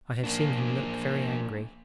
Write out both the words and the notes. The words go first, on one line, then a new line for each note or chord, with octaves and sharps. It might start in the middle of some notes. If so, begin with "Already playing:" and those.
I have seen him look very angry.
A#3 D4